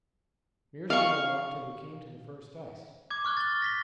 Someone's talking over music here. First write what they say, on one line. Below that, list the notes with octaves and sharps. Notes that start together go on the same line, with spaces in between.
Meares and I walked till we came to the first ice.
F5 C#6
D6 G#6
C#6 F6 F#6 G7
A6 G7
A#6 B6 G7